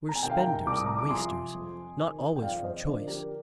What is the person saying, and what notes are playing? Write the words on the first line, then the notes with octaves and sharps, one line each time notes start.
We're spenders and wasters--not always from choice.
A#5
G#5
C3 D#3 G5
F5 G#5
G5 A#5
C2 D6
D#6
A#5 D6
D6
C3 F3 G#5 C6
F2
D#3
G5
F2 D5 F5
C5 D#5
D3 F3 A#4 D5
G4 A#4